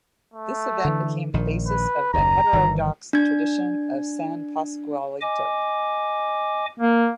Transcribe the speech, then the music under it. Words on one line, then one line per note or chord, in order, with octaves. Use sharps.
This event became the basis of the heterodox tradition of San Pascualito.
A3
D3 E3
A#1 D#3
B4
F#1 D#2 A#5
G1 D#3 E3
D4 G#6
D#5 G#5 D6
A#3